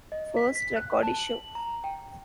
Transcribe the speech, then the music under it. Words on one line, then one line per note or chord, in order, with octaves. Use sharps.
First record issue.
D#5
B6
B6
F#6
A5
F#7
A#5
G5